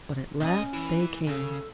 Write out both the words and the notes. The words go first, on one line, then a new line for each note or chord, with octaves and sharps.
But at last they came.
A#2 C#4 D#5
E3
C#3 A4